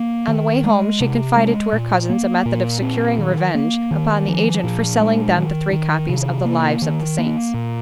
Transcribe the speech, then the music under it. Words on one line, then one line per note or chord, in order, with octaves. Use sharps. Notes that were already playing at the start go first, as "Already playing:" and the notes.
On the way home she confided to her cousins a method of securing revenge upon the agent for selling them the three copies of the "Lives of the Saints."
Already playing: A#3
D#3
G#3
C3
G#3
A#2
A#3
A#2
C4
D#3
A#3
D#3
F3
A#2
G#3
D#3
D#3
C3
A#3
D#3
A#3
A#2